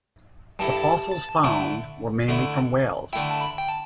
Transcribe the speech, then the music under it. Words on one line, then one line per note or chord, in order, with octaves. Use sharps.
The fossils found were mainly from whales.
G2 G3 E4 A4 A5
D3 A3 E4
D3 A3 E4
D3 A3 E4 G5
A5
B5
G5
A5